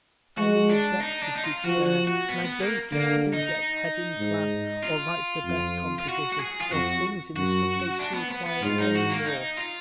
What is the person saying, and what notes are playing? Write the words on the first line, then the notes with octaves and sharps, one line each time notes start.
I'm in the depths of despair and I don't care who gets head in class or writes the best composition or sings in the Sunday-school choir any more.
G#3 F#4
D4
D#4
D4
D#4
F4
F3 F#4
F#4
F#4
B3
B3
A#3
D3 A#3
D#4
G#2
F4
F2
F4
F#4
F#4
G#4
F4
F2 F#4
F#2 F#4
D4
B3
B3
B3
G#2 F4
D#4
F#4
A#3
D#4
F4